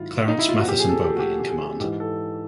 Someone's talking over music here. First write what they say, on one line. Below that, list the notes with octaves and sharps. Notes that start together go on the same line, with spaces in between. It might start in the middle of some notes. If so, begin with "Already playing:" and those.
Clarence Matheson Bowley in command.
Already playing: G#2 D#3 F#3 E4 F4
D#4
E4
F4
A#2 F3 F#4
G4
G#4
A4
G4
F#4
G4
G4
G#4
G4
G#2 E3 G4
A4